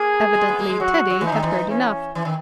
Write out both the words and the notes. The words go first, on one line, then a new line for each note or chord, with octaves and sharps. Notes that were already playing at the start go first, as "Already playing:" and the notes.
Evidently Teddy had heard enough.
Already playing: A#3 G#4
G#3
B3
A#3
G#3
F#3 F#4
F#3
E3 D#4
D#3
E3
C#4
E3
D#3